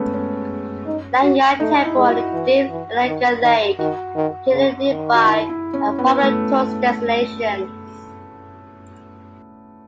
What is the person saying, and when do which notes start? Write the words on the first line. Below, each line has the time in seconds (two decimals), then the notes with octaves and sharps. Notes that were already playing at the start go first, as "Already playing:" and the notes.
Langya temple and the Deep Elegant Lake, located nearby, are popular tourist destinations.
Already playing: G#3 A3 B3 C#4
0.14 C#4
0.86 D#4
1.23 F#4
1.60 A3 D#4
1.84 E4
1.96 G#3
2.08 F#4
2.33 E3
2.69 E3
3.06 D#3
3.42 D#3
3.79 D#3 F#4
4.16 D#3
4.52 C#3
4.88 D#3
5.13 F#4
5.25 E4
5.49 E4
5.73 C#4
5.99 B3
6.23 A3